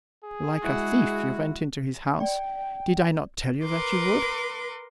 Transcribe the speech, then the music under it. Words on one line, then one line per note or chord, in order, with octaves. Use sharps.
'Like a thief you went into his house,--did I not tell you that you would?
G#4
G#3 E4 F#4
D5 G5
A#4 B4 C6 D6